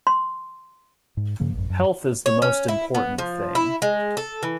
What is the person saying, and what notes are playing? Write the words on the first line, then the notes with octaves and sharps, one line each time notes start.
Health is the most important thing.
C6
G#2
G2 C#3 F3 A#3
A1 F#2
F#2
C#5
C#4
E4
B3
F3
E4
G#3
A4
E3